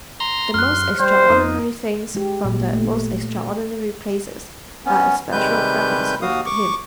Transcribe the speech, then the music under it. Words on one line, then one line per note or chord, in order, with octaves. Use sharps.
The most extraordinary things from the most extraordinary places are especial preferences with him.
A#5 C6
F#2 C6 F6 F#6
G3 C5
F2 D#4
G#3 G4
G#1 A#2
A3
B3 C#4
C3 D#3 G3 G#3 B4 G6
D#2 F#4 F5 D#6
C#6 D6